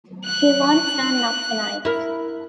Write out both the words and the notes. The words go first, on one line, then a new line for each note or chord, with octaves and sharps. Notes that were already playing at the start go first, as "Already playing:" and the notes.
He won't turn up to-night.
F#6
E4 A#4